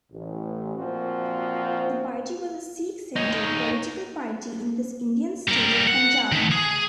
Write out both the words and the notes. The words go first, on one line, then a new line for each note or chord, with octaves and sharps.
The party was a Sikh-centered political party in the Indian state of Punjab.
A1
A#2 F3 C4 F#4
D#4 C#5
G3 A#4
F#5
D#3 A3
G#4